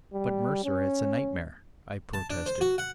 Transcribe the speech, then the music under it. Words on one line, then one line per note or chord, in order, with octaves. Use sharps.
"But, Mercer, it's a nightmare!" I protested.
G3
C#4
A5
D4
C5
F#4
F#5